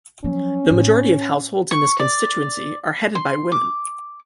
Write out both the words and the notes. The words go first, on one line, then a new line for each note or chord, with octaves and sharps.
The majority of households in this constituency are headed by women.
F3 F#3 C#4
A2
C#6
D5
C6
D6